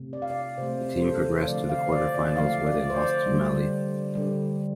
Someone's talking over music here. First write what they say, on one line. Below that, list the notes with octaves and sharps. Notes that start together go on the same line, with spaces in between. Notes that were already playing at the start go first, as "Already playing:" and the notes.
The team progressed to the quarter finals, where they lost to Mali.
Already playing: C3 A3
D5
F5
D5
C3 A3 C5
C5
A4
F5
D3 F3 A3 D5
F5
C5
D5
D5
D5
D3 F3 A3 F5
D5
C5
D5
D3 G3
D3 G3